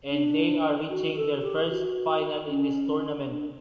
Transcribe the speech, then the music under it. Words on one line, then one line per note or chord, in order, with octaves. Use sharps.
And they are reaching their first final in this tournament.
D4
F#4
A4
G4
F#4
C#4
D4